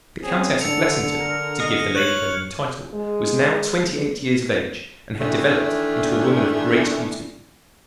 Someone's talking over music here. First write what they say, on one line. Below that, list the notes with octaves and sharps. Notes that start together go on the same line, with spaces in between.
The Countess of Blessington--to give the lady her new title--was now twenty-eight years of age and had developed into a woman of great beauty.
C4 C#4 G#4
D3 A4 C#7 F7
A#4
D#5 F6
C#5 F#6 F#7
G#3
D#3 E3 A3 D4